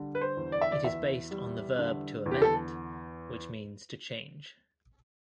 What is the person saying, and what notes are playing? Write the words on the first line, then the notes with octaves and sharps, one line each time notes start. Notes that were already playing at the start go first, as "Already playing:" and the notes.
It is based on the verb to amend, which means to change.
Already playing: D3 G3
B4
C5
E2
D5
E5
D5
E2 E5
G3
D3
E2
G4
A4